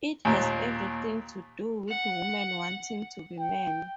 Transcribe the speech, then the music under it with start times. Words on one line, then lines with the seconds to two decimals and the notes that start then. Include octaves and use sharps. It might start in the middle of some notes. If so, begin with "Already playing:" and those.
It has everything to do with women wanting to be men.
0.25 D#2 A#2
1.89 F#5
3.40 G5